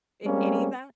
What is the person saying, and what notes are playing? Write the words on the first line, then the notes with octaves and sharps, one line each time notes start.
A any of that?
G3 G#3 A#3 C4 C#4